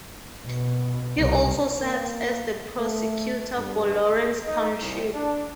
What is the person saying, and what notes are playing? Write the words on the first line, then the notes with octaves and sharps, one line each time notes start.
He also serves as the prosecutor for Lawrence Township.
B2
C2
A#3
A3
G2
D#4
C2
D4